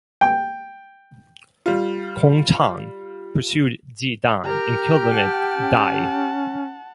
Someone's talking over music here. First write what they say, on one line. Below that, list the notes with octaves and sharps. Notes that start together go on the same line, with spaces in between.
Kong Chang pursued Ji Dan and killed him at Dai.
G5
G3 F4
G4 A#4 G5 A#5 F6
F#5 A5
C#4